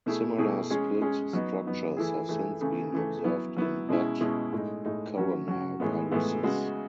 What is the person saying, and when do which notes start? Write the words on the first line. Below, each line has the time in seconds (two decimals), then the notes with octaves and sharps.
Similar split structures have since been observed in bat coronaviruses.
0.06 B2 A3 E4 G#4
0.38 B2 A3 E4 G#4
0.70 G#3 C#4 G#4
1.01 G#3 C#4 G#4
1.33 F#3 B3 D#4
1.65 F#3 B3 D#4
1.97 E3 A3 E4 G#4
2.29 E3 A3 E4 G#4
2.61 C#3 E3 A3
2.92 C#3 E3 A3
3.24 F#3 B3 E4
3.57 F#3 B3 E4
3.89 B2 G#3 C#4 E4
4.20 B2 G#3 C#4 E4
4.53 A2 G#3 D#4
4.85 A2 G#3 D#4
5.17 F#3 C#4 F#4
5.48 F#3 C#4 F#4
5.80 A2 E3 G#3 B3
6.11 A2 E3 G#3 B3
6.43 C#3 G#3 B3 F#4